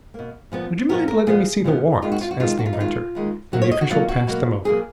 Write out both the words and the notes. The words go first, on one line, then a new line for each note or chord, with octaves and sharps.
"Would you mind letting me see the warrants?" asked the inventor, and the official passed them over.
B2 A#3
A#2 F3 B3
A#2 F3 B3 A#4
A#4
A#2 F3 B3 G#4
A#2 F3 B3
D#2 D#3 G#3 F4
F#4
F4
F#4
D#2 D#3 G#3 F4
F#4
F4
D#4
D#2 D#3 G#3 F4
D#2 D#3 G#3
B2 F#3 A#3 F#4
C#5
D#5
F#4
B2 F#3 A#3 F4
F#4
B2 F#3 A#3
B2 F#3 A#3 G#4